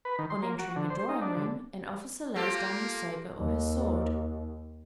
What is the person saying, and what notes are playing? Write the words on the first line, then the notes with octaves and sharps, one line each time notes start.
On entering a drawing room, an officer lays down his sabre or his sword.
B4
D#3
C6
A#3
F#4
D3
C5
D#4
D4
D3
A#3 F4 G4 A4
D#2